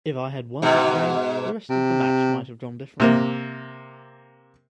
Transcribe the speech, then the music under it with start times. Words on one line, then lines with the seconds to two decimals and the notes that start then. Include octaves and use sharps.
If I had won that game, the rest of the match might have gone differently.
0.62 G#2 B2
1.70 C3
3.00 C3 A#3